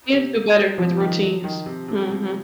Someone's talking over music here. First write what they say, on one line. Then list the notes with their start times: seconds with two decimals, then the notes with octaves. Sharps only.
Kids do better with routines. Mhm.
0.12 C3
0.34 A#3
0.56 F#3
0.78 C3 F3
1.00 D#3
1.22 F#3
1.44 D#3
1.66 C3
1.88 C3
2.10 C3